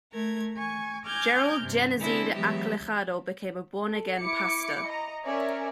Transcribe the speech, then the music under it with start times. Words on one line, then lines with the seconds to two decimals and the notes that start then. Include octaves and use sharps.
Gerald "Genezide" Acelajado became a Born-Again Pastor.
0.11 A3 A#4 G#6
0.54 G#5 C#6
1.05 G#5 D6 F6 G6 G#6 A#6
1.62 G2 C3
1.98 D3 B3 C4 D4 E4 G#4
2.34 E3 F#3 G#3 B3 G4 E5
3.82 A4
4.18 E4 D6 C#7
4.87 D#5 A#5
5.25 C#4 A#4 C#5 D5 E5 G#5